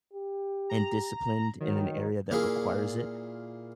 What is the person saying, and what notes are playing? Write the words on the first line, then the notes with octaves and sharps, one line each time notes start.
and disciplined in an area that requires it.
G4
A#5
D#3 F#3
A#2 E4 F4 G#4